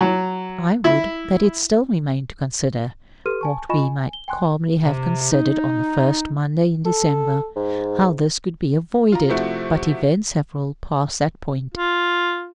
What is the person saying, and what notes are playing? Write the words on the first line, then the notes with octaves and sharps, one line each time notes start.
I would that it still remained to consider what we might calmly have considered on the first Monday in December--how this could be avoided; but events have rolled past that point.
F#3
E4
G4 A4 B4 C6 F6 D#7
G#5 A5 C#6
F4 D#5 G#5 B5 C#6 E7
G#5
G7
G5 G#5 C6 F#6
C3
D#4
A4
G#2
F4 A#5
C3 F3 A3 C4 E4 F#4
F4